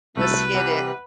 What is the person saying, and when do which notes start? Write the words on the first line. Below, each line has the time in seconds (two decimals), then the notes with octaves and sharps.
let's hit it,"
0.17 C2 A3 F#4 A4 B4
0.54 C3 E3 G3 F#5